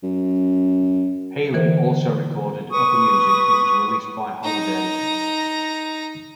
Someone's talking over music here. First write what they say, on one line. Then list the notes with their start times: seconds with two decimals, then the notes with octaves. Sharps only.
Haley also recorded other music that was released by Holiday.
0.03 F#2
1.54 D3 E3 A#4 C5
2.71 B4 C#6 D#6
4.43 D#4 A#5